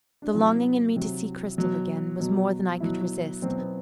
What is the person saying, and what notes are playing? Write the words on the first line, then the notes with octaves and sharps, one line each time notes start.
The longing in me to see Cristel again, was more than I could resist.
D4
C3 F#3 E4
C3 F#3
B2 F#3
B2 F#3
B2 F#3 E4
B2 F#3 C4
B3